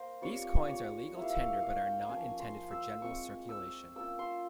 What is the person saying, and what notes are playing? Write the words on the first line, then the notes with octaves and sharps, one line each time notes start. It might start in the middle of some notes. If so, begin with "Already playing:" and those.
These coins are legal tender but are not intended for general circulation.
Already playing: A#3 A#4 C5
G3 C4 F4 C#5
C#5
G3 A#3 E4 E5
F5
E5
F5
F5
G5
F3 A#3 C#4 G#5
C6
E6
G#3 C4 F4 C#6
E6
A#3 C#4 F4 E6
C6